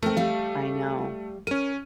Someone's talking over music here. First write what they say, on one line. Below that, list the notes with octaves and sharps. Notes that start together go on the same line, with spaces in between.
I know.
A3 C4 A#4
G3 E5 F5
C#4 A#4 D#7